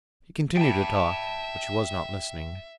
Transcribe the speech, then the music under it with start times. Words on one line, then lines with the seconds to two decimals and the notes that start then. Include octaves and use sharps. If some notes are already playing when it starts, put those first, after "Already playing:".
He continued to talk, but she was not listening.
0.57 E5 G5 A5